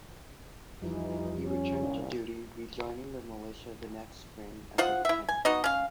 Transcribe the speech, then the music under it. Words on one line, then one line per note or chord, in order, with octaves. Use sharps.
He returned to duty, rejoining the militia the next spring as a lieutenant.
F2 E3 F3 G3 D#4
C#4
C2 A#2
F4 C5 D#5 F#5
E4 E5
G#5
B3 D#4 F#4 D#5
C#4 F5